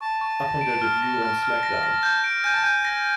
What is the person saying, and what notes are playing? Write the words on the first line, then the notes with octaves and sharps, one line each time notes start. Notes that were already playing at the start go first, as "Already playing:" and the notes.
Upon their debut on SmackDown!
A5 C#6
C#6
A#6
D7
F6
A#6
F6
F6
A#6
A#6
G6
D7
G#5 G6
A5
G#5 G6
A#6